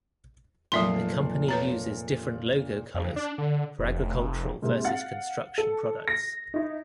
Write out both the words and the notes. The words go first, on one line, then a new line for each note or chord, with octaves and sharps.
The company uses different logo colors for agricultural versus construction products.
F1 A#2 F#3 E5 C6 C7
B4 C#5 A#5
F2
D4
D3
F1
G#2 C3 A#3 C4
F5 F#5 A6
A4
A#6
D#4 E4